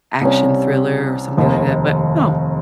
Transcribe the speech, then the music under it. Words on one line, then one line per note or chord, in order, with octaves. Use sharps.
action thriller or something like that. But, oh.
C2 C3 G3 C#4
F1 D#2 D#3